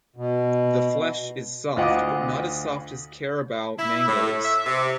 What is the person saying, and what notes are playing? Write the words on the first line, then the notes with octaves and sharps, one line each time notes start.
The flesh is soft but not as soft as Carabao mangoes.
B2
D2 F4 D#5 F#5 D6 D#6
E4
A2
E5
C3